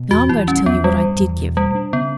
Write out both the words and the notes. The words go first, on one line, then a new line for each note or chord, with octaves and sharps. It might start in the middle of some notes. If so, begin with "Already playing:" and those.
Now I'm going to tell you what I did give.
Already playing: B2
E2 F#4
E2 E4
G3 C#4
E2 B3
G2 G3
G2
E2
B2
G3 A3
D4
C#3 B3